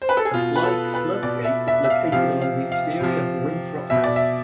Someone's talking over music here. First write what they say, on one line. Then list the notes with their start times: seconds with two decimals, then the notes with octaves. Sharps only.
The Fly Club Gate is located along the exterior of Winthrop House.
0.02 C5
0.09 B4
0.17 A4
0.25 G#4
0.34 B2 F4
0.56 B4
0.63 A4
0.94 B4
1.22 B2 D5
1.45 E5
1.68 E5
1.84 E5
1.90 F5
2.12 C3 F3 F5
2.42 F5
2.72 F5
3.01 C3 F3
3.90 B2 E5
4.04 D5
4.16 E5